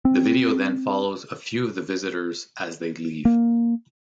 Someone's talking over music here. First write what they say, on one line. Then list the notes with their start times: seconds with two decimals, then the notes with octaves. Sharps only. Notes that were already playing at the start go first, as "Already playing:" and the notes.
The video then follows a few of the visitors as they leave.
0.05 C4
3.25 A#3